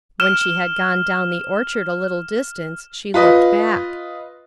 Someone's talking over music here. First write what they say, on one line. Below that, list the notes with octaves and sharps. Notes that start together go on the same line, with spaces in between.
When she had gone down the orchard a little distance she looked back.
F6 E7
F4 B4 D#5